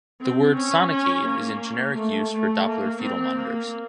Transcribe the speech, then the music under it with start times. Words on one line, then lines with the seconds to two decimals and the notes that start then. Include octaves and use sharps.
The word "Sonicaid" is in generic use for Doppler fetal monitors.
0.21 C4
0.56 C#4
0.91 C#4
1.26 A#3
1.96 A3
2.30 A3
2.66 A#3
3.01 C4
3.36 A#3